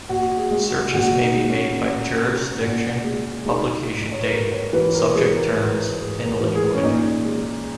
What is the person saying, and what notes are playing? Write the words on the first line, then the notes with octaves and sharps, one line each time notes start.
Searches may be made by jurisdiction, publication date, subject terms, and language.
A#2 F#4
G#4
G#3
F#4
A#2 F#4
D#4
G#3
C#4
A#2
G#3
A#2
G#3
G#3 D#4
G#2
C#5
B4
G#2 A#4
C#5
E3 B4
A#4
G#3 G#4
A#4
G#2
C#5
G#2 B4
A#4
E3
G#4
C#4
A#2 D#4
G#3